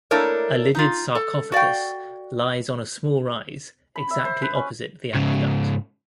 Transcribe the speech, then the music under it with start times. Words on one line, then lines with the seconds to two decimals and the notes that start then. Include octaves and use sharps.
A lidded sarcophagus lies on a small rise exactly opposite the aqueduct.
0.11 A3 A#3 D4 E4 A#4 C#5
0.75 D#4 F4
1.15 A4
1.52 F#4 D5 F5 G5
3.96 B5
4.11 E5
4.25 C5
4.42 B4
4.55 C#4
5.14 G#2 C#3